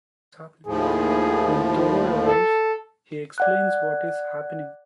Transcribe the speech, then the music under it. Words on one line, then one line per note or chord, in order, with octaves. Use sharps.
When Tovar arrives, he explains what is happening.
D#2 A2 F3 G#4
A4
D5 F#5 F#6